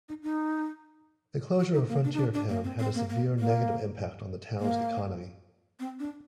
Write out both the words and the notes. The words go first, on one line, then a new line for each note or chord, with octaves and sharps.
The closure of Frontier Town had a severe negative impact on the town's economy.
D#4
D#4
F#4
D#4
A#3
D4
D#4
D4
D4
A#3
C4
C4
A#3
A#3
A#3
A#3
C4
D4